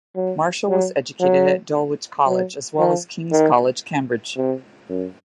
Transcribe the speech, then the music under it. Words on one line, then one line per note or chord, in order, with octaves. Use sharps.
Marshall was educated at Dulwich College as well as King's College, Cambridge.
F#3
F#3
F#3
F#3
F3
D#3
C3
F#2